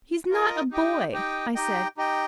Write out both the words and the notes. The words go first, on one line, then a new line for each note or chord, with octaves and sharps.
"He is not a boy," I said.
F4 A#4 D#5
D#4 G4 D#5 G5
D#4 G4 D#5 G5
D#4 G4 D#5 G5
D#4 G4 D#5 G5